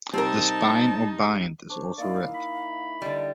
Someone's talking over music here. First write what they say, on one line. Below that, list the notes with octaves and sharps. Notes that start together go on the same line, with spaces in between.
The spine or bind is also red.
C3 G3 C4 D#4 A#4 A5
D4 C5 C#5
A#3 D#4 E4 D5 F5
B5
D3 G3 D#5